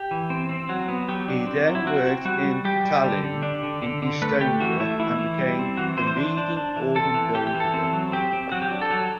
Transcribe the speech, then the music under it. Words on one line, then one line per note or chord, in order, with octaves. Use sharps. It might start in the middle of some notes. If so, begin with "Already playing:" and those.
He then worked in Tallinn in Estonia and became the leading organ builder there.
Already playing: G4
E3
C4
C4
F#3 F#4
B3
F#3 G4
D4
C4
F#3
E4
C4 F#4
C4
G3 F#4
G3
G3 G4
G3
D3
D3
D4
D3
D3
D3
A3 B4
A3 G4
E3 F#4
A3 E4
E3 E4
E3
G3
C4
E3 F#4
E3 C5
C5
D4
D4
D4
E3
C4 A4
E3
E3 G4
G4
E3
A4
C4
F#3
C4 G4
C4
F#3 F#4
G4
D4
A4
F#3